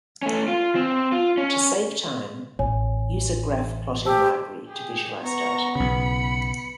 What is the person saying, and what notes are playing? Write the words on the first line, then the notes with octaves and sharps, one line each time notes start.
To save time, use a graph plotting library to visualize data.
A3 C#4
F4
C4
F4
C#4
A1 C#5 G#5
G4 C5 A5 E6
G4 G#4
B3 A#5 C#6
B1 C#3 B5 C#7